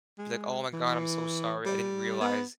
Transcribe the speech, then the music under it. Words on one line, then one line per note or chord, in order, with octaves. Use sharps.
be, like, "Oh my god. I'm so sorry. I didn't realize,"
G#3
E3
G3
B3